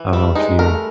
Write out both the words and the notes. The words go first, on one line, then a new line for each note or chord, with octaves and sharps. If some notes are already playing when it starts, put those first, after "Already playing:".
I don't know if you
Already playing: E3
G3 C4
G#3 D#4
A3 A#4